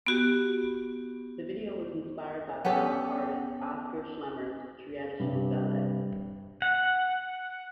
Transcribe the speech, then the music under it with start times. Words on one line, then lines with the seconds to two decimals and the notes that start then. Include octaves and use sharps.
The video was inspired by Bauhaus artist Oskar Schlemmer's Triadisches Ballett.
0.07 B3 F#4 G4
2.65 B3 C#4 G4 A4
5.19 G2 C3 G3
6.62 F#5